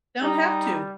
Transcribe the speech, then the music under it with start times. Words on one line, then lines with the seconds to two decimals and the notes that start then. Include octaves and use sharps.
Don't have to.
0.21 G3 D#4